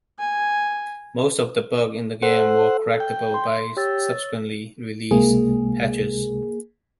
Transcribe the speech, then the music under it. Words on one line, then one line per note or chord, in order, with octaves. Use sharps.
Most of the bugs in the game were correctable by subsequently released patches.
G#5
A4 C5 F#5
G5
C6
G4 C#5 E6 A6
C#2 C3 G#3 A#3 G#4